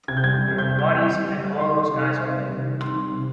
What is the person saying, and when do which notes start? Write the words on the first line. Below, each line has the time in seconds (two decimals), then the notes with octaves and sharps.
There are the bodies and all those guys are dead.
0.08 C3 G#6
0.17 G6
0.24 G3 G#6
0.38 G3
0.54 C3 G6
0.69 G3
0.79 G6
0.84 G3
0.99 G3
1.14 G3
1.29 G3
1.44 G3
1.60 D#3 C6
1.74 D#3
1.90 C3
2.05 D#3
2.20 C3
2.36 G3
2.50 C3
2.66 D#3
2.81 D#3 C6
2.96 G3
3.11 C3